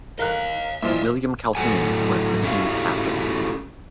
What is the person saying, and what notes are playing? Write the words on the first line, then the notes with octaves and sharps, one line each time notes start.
William Calhoun was the team captain.
A#4 D#5 F5 F#6
A#2 E3 F3 D#5 E5
A2 F#3 F#4 A4 F#5 G#5
A3 C#4 E4 F#4 G4 F5